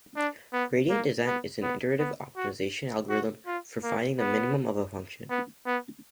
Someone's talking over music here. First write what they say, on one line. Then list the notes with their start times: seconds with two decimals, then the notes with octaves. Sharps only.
Gradient descent is a iterative optimization algorithm for finding the minimum of a function.
0.16 D4
0.53 B3
0.90 A#3
1.27 B3
1.63 B3
2.00 B3
2.37 F#4
3.09 F#4
3.46 F4
3.83 A#3
4.20 B3
5.30 B3
5.67 B3